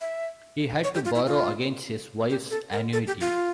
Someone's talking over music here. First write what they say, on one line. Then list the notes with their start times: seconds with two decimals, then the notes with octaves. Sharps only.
He had to borrow against his wife's annuity.
0.01 E5
0.84 C#5
0.94 G4
1.05 F4
1.15 E4
1.26 F4
2.30 G4
2.51 A4
2.72 A#4
2.93 A4
3.07 G4
3.21 F4